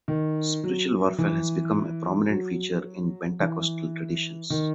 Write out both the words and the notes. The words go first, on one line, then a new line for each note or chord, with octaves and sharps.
Spiritual warfare has become a prominent feature in Pentecostal traditions.
D#3
F#3
E3
F#3
E3
D#3